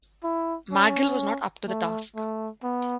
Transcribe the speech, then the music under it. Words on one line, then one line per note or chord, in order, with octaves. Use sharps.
Magill was not up to the task.
E4
C#4
A3
A3
B3